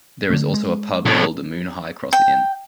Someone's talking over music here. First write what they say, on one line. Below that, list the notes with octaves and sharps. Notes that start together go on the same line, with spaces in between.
There is also pub called the Moone High Cross Inn.
D3 A3
G#3
C2 A2
G5